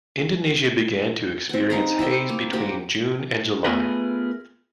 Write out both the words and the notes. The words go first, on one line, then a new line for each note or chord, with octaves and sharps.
Indonesia began to experience haze between June and July.
C4 F#5
D#4 F5 A#5
E4 G4 C5 G5
A#3
A#3 F#4 G4 C5
A3 B3 F4 G#4 A#4 B4